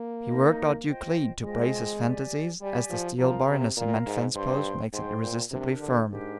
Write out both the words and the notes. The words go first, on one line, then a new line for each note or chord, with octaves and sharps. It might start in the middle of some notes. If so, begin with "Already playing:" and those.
He worked out Euclid to brace his fantasies, as the steel bar in a cement fence-post makes it irresistibly firm.
Already playing: A#3
D#4 A#4 D#5
F4 C5 D#5 G5
G#3 F4 C5 D#5 G5
G4 D5 G#5
G3 G4 D5 G#5
F3
F3 A#4 F5 A#5
C3
A#2 A#4 F5 A#5
G#2
G2 C5 G5 C6
G#2 C5 G5 C6
A#2
C3 D4 G4 A#4
D3
G#2 D4 G4 A#4